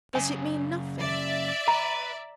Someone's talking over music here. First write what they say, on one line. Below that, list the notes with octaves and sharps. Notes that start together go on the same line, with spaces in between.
"Does it mean nothing."
F#2 C#3 G#5
D5 E5
B4 A#5